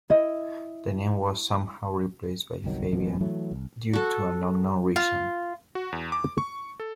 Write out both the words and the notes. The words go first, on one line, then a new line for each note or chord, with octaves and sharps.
The name was somehow replaced by Fabian due to an unknown reason.
E4 D#5
G1 C2 D#3 F#3
E1 A1 F2 B2
E3 F#3 A3
C2
F#4 A4
F4
F#4
E2
D6
C#6
A4